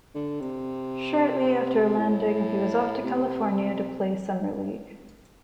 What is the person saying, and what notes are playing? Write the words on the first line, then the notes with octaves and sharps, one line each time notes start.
Shortly after landing, he was off to California to play Summer League.
D3
C3
A2
C3